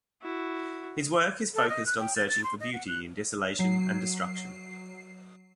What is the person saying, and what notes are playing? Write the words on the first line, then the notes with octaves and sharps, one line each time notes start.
His work is focused on searching for beauty in desolation and destruction.
E4 F#4
A4
D#5
F#6
G5
A6
A6
C6
D#5
F#5
F#6
F#3 C7